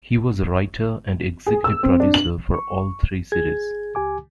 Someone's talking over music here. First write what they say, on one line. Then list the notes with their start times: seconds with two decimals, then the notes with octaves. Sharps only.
He was a writer and executive producer for all three series.
1.47 G#4
1.64 E6
1.83 C4
2.00 D4
2.14 F#7
2.54 C#6
3.32 G#4 G#6
3.95 C#2 G4 G#5 D6